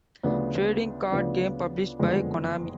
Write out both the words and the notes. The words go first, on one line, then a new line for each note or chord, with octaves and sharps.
Trading Card Game published by Konami.
D2 C#3 F3 B3 D4
D2 C#3 F3 B3 D4
F#1 F2 D3 G#3 B3